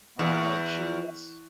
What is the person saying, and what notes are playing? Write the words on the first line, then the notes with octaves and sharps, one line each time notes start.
I add cheese.
E2